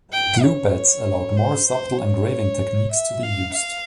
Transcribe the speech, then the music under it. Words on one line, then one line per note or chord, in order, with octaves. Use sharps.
Glue-bats allowed more subtle engraving techniques to be used.
G5
C#5
C5
C5
C#5
E5
F5
F5